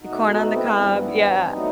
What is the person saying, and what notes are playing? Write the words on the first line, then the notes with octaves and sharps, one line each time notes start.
The corn on the cob, yeah.
B2 A3 D#4 F#4
D#4 F#4
C4 E4
G2 E3 G3 B3
C4
F#3 A3 B3 D#4